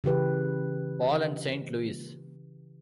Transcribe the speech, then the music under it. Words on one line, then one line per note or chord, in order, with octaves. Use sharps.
Paul and Saint Louis.
C#3 E3 G4 B4